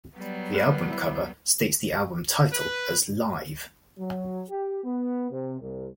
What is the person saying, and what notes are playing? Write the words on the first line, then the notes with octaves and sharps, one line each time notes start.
The album cover states the album title as Live!
F#3 G3 B3
A#4 B4 C#5
E4
B4
F#3
G4
B3
C3
C2